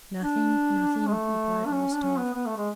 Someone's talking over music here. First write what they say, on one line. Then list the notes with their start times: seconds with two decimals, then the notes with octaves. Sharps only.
"Nothing, nothing," replied Rostov.
0.23 D4
1.08 G#3
1.13 A3
1.66 D4
1.73 C#4
1.93 D4
2.04 C#4
2.19 B3
2.34 B3
2.46 A3
2.57 G#3